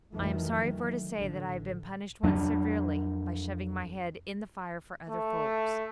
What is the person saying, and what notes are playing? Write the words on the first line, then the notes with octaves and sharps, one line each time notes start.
I am sorry for to say, that I have been punished once severely, by shoving my head in the fire for other folks.
F2 D#3 E3 F#3 A3
A1 D3
F2 F#3 D4
A3